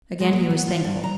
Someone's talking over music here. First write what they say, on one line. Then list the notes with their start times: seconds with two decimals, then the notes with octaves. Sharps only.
Again he was thankful.
0.20 G#3
0.33 A#3
0.50 B3
0.67 F4
0.84 G2
1.04 A#5